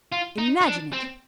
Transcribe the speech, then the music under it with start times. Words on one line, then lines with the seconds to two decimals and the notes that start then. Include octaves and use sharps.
Imagine it!
0.12 F4
0.38 D#4
0.61 D#4
0.66 D4
0.93 C4